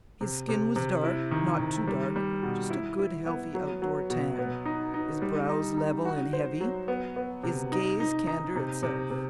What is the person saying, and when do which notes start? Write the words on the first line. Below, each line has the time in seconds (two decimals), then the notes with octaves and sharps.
His skin was dark--not too dark--just a good healthy out-door tan: his brows level and heavy, his gaze candour itself.
0.21 C3
0.49 C3
0.76 C3
1.04 E4
1.31 D#3
1.59 D#3
1.87 G3
2.16 G3
2.43 B2
2.70 E4
2.99 E4
3.26 B3
3.54 F#3
3.82 F#3
4.10 B2
4.38 B3
4.65 D#4
4.94 D#4
5.22 G3
5.49 D#4
5.77 D#4
6.05 F#4
6.33 C5
6.61 F#3
6.88 B3
7.16 B3
7.43 C3
7.72 D#4
8.00 D#4
8.27 D#4
8.56 C3
8.83 C3
9.10 C3